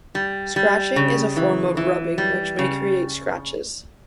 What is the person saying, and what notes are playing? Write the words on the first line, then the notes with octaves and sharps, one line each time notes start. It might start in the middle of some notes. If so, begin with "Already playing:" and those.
Scratching is a form of rubbing which may create scratches.
G3
G3
C#3
E3
E3
G3
C#3